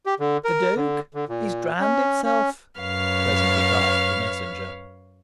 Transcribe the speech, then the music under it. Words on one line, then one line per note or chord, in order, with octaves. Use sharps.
"The Duke, he's drowned himself," presently gasped the Messenger.
G4
D3
A#4
D3
D3
A#2
C#4
C#4
F#2 B4 C#5 F5 F6